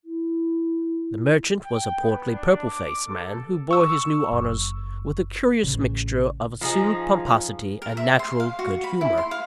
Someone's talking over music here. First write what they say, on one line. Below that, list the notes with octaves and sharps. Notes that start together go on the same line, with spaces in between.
The merchant was a portly, purple-faced man, who bore his new honours with a curious mixture of assumed pomposity and natural good-humour.
E4
G5
B3
D4
D6
A4
C#6 E6
F#1
A1 C#3
F3 D#4 G#4
A#4
E5
C6
F5
F#4
B5
E4
C6
F5